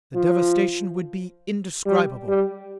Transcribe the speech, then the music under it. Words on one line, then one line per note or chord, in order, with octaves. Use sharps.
The devastation would be indescribable.
F3
G3
G3